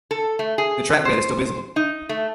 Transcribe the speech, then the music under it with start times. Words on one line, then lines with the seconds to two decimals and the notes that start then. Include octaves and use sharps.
The trackbed is still visible.
0.11 A4
0.39 A3
0.58 G#4
1.05 C5
1.76 D#4
2.09 A3